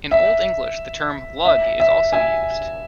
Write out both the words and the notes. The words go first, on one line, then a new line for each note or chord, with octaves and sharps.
In old English, the term "lug" is also used.
E5
E5
E5
E5 G#5